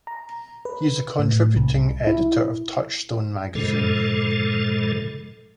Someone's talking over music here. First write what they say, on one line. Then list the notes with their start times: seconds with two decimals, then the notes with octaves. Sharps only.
He is a contributing editor of "Touchstone" magazine.
0.07 A#5
0.65 B4
1.19 A2
1.56 C2
2.07 E4
3.55 G2 A#2 C#3 F3 G#3 A4